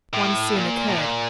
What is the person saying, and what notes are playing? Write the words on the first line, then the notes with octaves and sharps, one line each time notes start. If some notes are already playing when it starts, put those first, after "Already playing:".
One soon occurred.
A2
A#2
A2
A#2